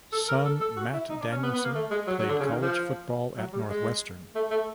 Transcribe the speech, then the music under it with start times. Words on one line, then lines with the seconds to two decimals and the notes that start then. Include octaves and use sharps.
Son Matt Danielson played college football at Northwestern.
0.12 A4
0.28 A#4
0.45 A4
0.60 A4
0.77 F#4
0.93 E4
1.10 D#4
1.21 D4
1.31 C#4
1.43 B3
1.53 B3
1.64 A#3
1.75 A3
1.91 G#3
2.07 F#3
2.18 F#3
2.29 D3
2.40 C#3
2.51 D#3
2.62 F3
3.37 F#3
3.53 G3
3.70 G#3
4.35 A3
4.51 A3